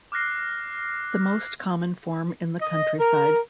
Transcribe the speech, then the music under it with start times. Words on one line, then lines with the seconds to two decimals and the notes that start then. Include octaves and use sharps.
The most common form in the countryside.
0.12 D6 F6 F#6 A#6 C7
2.61 D#5
2.98 A#4